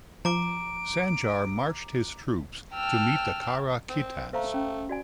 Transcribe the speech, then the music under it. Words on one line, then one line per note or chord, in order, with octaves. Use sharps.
Sanjar marched his troops to meet the Kara-Khitans.
F3 A#5 D6 D7
G5 A5 E6 F6
C4
A3 C5 F5 A#5
C#4
F#4 D5 G#5